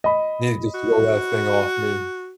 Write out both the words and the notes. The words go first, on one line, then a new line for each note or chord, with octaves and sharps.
needed to throw that thing off me.
D#5 B5
F#4